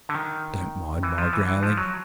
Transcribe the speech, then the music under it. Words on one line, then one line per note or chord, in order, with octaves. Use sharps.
Don't mind my growling.
D3
D#3
E3
F3
E3
E3
F3
F#3